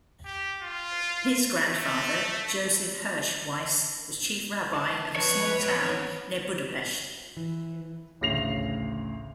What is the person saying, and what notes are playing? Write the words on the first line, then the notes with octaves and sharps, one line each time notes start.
His grandfather, Joseph Hirsch Weiss, was Chief Rabbi of a small town near Budapest.
G4
F4
A3
D2 A5
F2 B4 C#5
B3 C4
E3
A1 D2 C#3 A#6 C7 F7